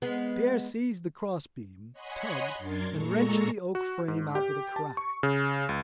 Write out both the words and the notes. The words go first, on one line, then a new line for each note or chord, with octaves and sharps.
Pierre seized the crossbeam, tugged, and wrenched the oak frame out with a crash.
G#3 B3
C#5 D#5 F#5 G#5 B5 C6
F#2 D4 A#4 C6 G#6 A6
A#2 G#3 A4 A#5 C#6
F#4
G#2
G4
A5
C#6
C#3
C#2